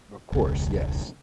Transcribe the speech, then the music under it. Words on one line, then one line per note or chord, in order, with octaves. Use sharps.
Of course, yes.
E1 C#2